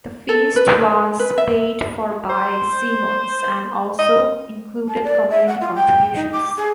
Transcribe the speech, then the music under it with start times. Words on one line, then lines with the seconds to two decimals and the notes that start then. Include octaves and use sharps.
The feast was paid for by Simmons and also included community contributions.
0.29 A4
0.56 B4
1.19 B4
1.38 E5
2.29 C5
3.99 D#5
4.88 A5
5.04 D5
5.30 E5
5.47 F#5
5.61 F4
5.76 G5
6.16 D#4
6.32 D6
6.57 G#4